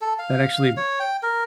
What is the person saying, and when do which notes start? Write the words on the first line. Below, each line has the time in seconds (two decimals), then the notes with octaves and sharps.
that actually
0.01 A4
0.19 F5
0.77 C#5
1.00 G5
1.23 A#4